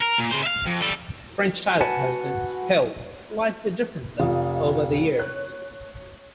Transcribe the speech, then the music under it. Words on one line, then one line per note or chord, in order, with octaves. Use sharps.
The French title has been spelled slightly differently over the years.
A#4
A#2
C#3 C5
E5 F5
F2
G3 A4
F#4 B4 F#5 G#5 A5
F1 F5 D#6
C#5 F#6